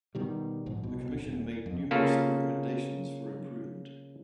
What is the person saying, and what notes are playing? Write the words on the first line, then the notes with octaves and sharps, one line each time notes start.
The Commission made numerous recommendations for improvement.
B2 D#3 G3
A#1 G#2
C2 B2
D#1
F2
C#3 A#3 F4 A4